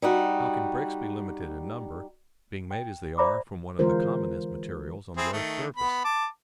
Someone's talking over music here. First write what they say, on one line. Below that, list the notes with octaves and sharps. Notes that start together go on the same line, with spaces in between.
How can bricks be limited in number, being made as they are from one of the commonest materials on the earth's surface?
G3 D#4 F#4
G5
C5 D5 E5 A#5 B5 D6
D3 E3 G#3 F4 A#4 C5
C4 E4 G#4
D#3 A3
B3 B5
A5 D6